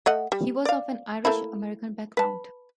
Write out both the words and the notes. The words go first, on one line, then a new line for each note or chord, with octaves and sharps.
He was of an Irish American background.
A3 D#5 F#5
G3
D5 F5
A3 A#3 E4
B4 A5